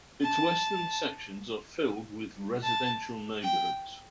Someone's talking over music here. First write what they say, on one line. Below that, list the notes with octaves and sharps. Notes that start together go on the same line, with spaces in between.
Its western sections are filled with residential neighborhoods.
A5
A5
G5